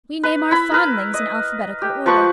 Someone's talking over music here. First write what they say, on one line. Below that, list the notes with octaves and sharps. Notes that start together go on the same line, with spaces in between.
We name our fondlings in alphabetical order.
B4
E4 B5
A#4 B4
D#5
G4
F3 B4 C#6